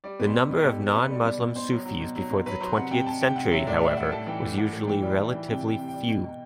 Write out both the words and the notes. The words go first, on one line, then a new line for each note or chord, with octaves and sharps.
The number of non-Muslim Sufis before the twentieth century, however, was usually relatively few.
G3 D5
B2 B4
C5
B2
B2
G4
B2 A4
B2
A4
B2 B4
G3
B2 D5
B2
B2 C5
F#3
F#3
B2
F#3
B2
F#3 B4
F#3 C5
C3 F#5
C3 G5
C3 A5
C3 G5
C3 F#5
F#3 E5
A2 D5
G3 E5
G3 F#5
A2 A5
E3 G5
A2
A2 F#5
A2
E3 G5
G3
E3
E3
C3 G5
C3 G5
C3
G5
G3
B2
B2